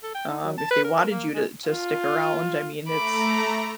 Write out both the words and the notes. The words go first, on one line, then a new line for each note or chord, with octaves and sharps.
um, if they wanted you to to stick around, I mean, it's
A4
G5
D#4
F#3
A5
B4
A#4
A#4
A#3
G#3
F4
A3 A#5 B5 D6